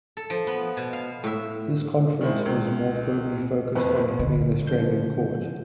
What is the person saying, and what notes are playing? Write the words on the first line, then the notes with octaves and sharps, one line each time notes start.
This conference was more firmly focussed on having an Australian court.
A4
F3
B3
B2
F5
A2 E5
D#3 G#3 C4 E4
C#2
F#1 F2 B3 B4
D3
C#3 F3 G6